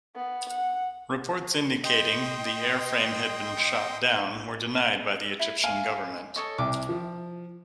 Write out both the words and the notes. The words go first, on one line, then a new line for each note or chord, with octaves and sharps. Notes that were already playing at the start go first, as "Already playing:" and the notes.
Reports indicating the airframe had been shot down were denied by the Egyptian government.
B3
F#5
D#5 G5 C6
E4
F5 G#5 D#7
A4 C#5 D#5
C2 C3 D6
F3